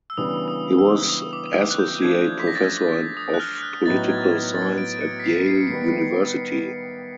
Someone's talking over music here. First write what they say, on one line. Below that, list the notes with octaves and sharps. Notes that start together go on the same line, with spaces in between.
He was Associate Professor of Political Science at Yale University.
E6
C#3 E3 G3 B3 D4 D#6
D#6
E6
D#6
D6
F#6
G6
F3 A3 D4 G#6
B6
A#6
A6
G#6
D#6
F#6
F6
F#6
A2 F#3 B3 D#4 A6
G#6
G#6
A6
D7
C#7
B6
C7
C7
C#7
D#3 G3 B3 C7